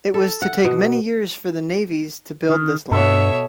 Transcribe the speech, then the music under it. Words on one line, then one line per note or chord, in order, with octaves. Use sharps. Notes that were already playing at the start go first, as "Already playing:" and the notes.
It was to take many years for the navvies to build this line.
A4
F#5
B2
D#3
G2 B2 A4 C#5 E5